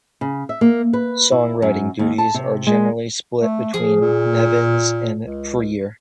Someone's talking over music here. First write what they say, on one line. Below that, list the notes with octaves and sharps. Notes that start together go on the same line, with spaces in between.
Songwriting duties are generally split between Nevins and Puryear.
C#3
E5
A#3
B4
E4
F#2
D#2
A5
C3
G#3
A3
F3 G#4
A#2
C#2